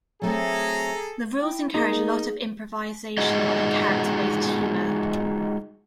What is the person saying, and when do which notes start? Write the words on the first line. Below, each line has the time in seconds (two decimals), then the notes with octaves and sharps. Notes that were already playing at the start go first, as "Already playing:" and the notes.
The rules encourage a lot of improvisational and character-based humor.
0.22 F#3 A3 C4 G#4 A4 A#5
1.42 E4 G5
1.74 A#3 D#4 G#4
3.18 G#3 D#4 F4 F#4 G#4 D#5